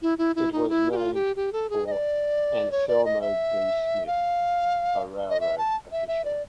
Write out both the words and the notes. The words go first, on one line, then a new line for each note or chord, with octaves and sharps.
It was named for Anselmo B. Smith, a railroad official.
E4
E4
E4
D#4
E4
G4
F4
G4
G4
A4
G#4
D#5
D5
C#5
D5
D#5
E5
F5
D#5
E5
A5
E5
E5
D5